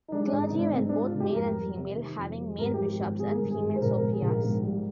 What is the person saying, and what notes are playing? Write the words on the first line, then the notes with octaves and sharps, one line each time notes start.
Clergy were both male and female, having male bishops and female sophias.
D#4
G#3 D4
D4
G#1
D#4
G#2
D4
G#2 C4
D4
G#3
F4
G#2
G4
F2 A#4
G3
C3
D#3
F2
G3
G#1 A#4
G4
F3
G4
G#1
G#1 G#4
A#4
G2
G#4
G#1
G#4
C5
A#1 A#4
A#4
G#2
G#4
A#1
A#4
G#2
G3